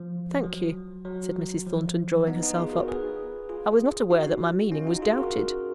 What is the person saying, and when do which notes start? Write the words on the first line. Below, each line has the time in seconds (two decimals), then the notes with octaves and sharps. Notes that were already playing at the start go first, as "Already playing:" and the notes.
'Thank you,' said Mrs. Thornton, drawing herself up; 'I was not aware that my meaning was doubted.
Already playing: F3
0.44 F#3
1.05 F#3
1.66 F3
2.27 B3 D#4
2.42 B3 D#4
2.58 F4 G#4
2.73 F#4 A#4
2.88 G#4 B4
3.49 F4 G#4
4.10 D#4 F#4
4.71 C#4 F4
4.87 D#4 F#4
5.02 F4 G#4
5.17 F#4 A#4